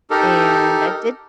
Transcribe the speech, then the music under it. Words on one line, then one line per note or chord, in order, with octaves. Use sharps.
And I did
D#4 G4 A4 A#4